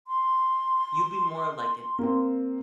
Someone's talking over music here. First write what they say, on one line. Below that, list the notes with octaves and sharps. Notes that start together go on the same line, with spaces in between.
you'll be more like an e
C6
A#3 C4